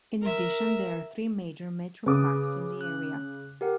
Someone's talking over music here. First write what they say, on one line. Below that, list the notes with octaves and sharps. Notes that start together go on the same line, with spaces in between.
In addition, there are three major metro parks in the area.
A#4 E5
C#3 G#4 B4 D6 D#6
F#6
G4 A#4 F#5